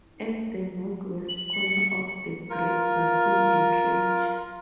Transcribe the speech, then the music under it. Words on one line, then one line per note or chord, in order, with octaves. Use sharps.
At the northwest corner of the Great Basin and Range.
F#7
C#7
F4 A#4